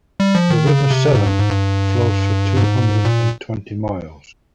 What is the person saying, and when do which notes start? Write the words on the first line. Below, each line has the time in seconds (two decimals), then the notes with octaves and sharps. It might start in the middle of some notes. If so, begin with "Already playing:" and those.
The river Severn flows for two hundred and twenty miles.
0.20 G3
0.35 F3
0.51 D#3
0.67 C#3
0.91 C3
1.14 G#2
1.26 G2
1.38 G#2
1.50 G2
2.57 G#2
3.05 A#2